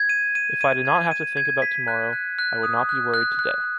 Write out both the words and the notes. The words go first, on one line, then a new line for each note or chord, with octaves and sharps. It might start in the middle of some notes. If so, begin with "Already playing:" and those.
If I did not have to think about tomorrow, I would not be worried today.
Already playing: G#6
D#7
D#7
D#7
G#6
D#7
G#6
B6
F#6
F#6
F#6
D#6
F#6
F#6
F#6